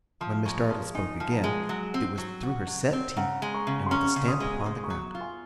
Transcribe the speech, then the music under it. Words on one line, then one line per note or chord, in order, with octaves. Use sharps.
When Miss Dartle spoke again, it was through her set teeth, and with a stamp upon the ground.
F3 C6 D#6
G#3 A#5 C#6
F3 C6 D#6
D#4 G#5 C6
F3 G#5
F#5 A#5
G#3
F#3
C4
F#3
F#4
F#3
C4
C#3 F#5 A#5
G#3
A#5 C#6
C#3
C6
C#4 A#5 C#6
C#3
C6 D#6
G#3
C#3 C6 D#6
D#6
A#5 C#6
F#3
F4
G#5 C6